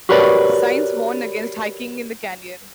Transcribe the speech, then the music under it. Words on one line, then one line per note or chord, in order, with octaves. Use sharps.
Signs warn against hiking in the canyon.
F#4 G4 A#4 B4 C#5 D5